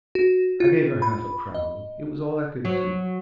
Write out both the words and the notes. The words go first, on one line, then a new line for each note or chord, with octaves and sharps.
I gave her half-a-crown; it was all I could do.
F#4
F4
B5
D#5
F#3